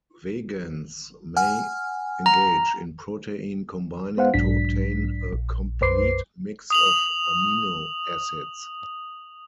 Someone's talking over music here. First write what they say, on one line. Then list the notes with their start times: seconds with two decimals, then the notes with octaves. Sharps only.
Vegans may engage in protein combining to obtain a complete mix of amino acids.
1.36 F#5 G#5 F6
2.26 A#5
4.17 B3 C5 F5 F#5
4.34 B1 G#2 F#3 D4 B6
5.33 A#1
5.81 B1 F#2 B4 C5 D6 C7
6.70 D#6 F7 F#7